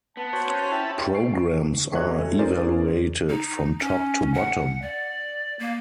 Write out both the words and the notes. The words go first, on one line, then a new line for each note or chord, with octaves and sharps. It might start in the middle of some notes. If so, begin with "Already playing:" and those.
Programs are evaluated from top to bottom.
B3 A5
F#4 C5 C#5
C#4 A5
E4 G5 A5 B5
C#6 C7 D7
F1 D2 C#5 D#5 E5 F#6
C#4 G#4 A#4 C5 D5
D#4
C#4
F#5
D5
A#3